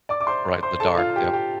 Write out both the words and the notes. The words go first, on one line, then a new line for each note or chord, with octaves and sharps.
Right, the Daughter Yup.
D5 D6
D6
C5 C6
C5 C6
A4 A5
F4 F5
G4
G4